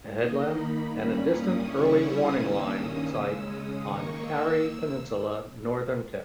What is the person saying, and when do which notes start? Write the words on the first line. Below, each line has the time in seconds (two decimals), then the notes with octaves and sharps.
A headland, and a Distant Early Warning Line site on Parry Peninsula northern tip.
0.14 D#3 A#3 D#4 D#5
0.51 B5
0.88 G2 G3 A#3 C#4 B5
1.25 D#6
1.61 C#3 G3 C#4 E4 C#6
1.98 D#6
2.35 G2 D#3 A#3 C#4 E6
2.71 D#6
3.08 C#3 G#3 C#4 E6
3.45 D#6
3.81 D#3 A#3 D#4 C#6
4.18 E6